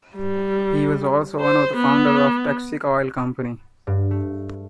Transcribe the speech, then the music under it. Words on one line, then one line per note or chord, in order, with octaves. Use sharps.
He was also one of the founders of Texaco Oil Company.
G3
C5
B3
G2
A3